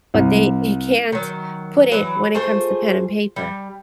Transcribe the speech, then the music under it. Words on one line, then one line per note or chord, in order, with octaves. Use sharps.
but they they can't put it when it comes to pen and paper.
C2
D#3 F#3
E3 F#3
A3 F4 G#4 C5
G3